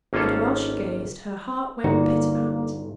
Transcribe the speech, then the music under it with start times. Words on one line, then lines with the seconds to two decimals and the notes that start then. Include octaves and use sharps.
And while she gazed her heart went pitapat.
0.13 G#1 A#3 C#4 F4 A4 C#5
1.84 G1 D3 A#3 D#4 F#4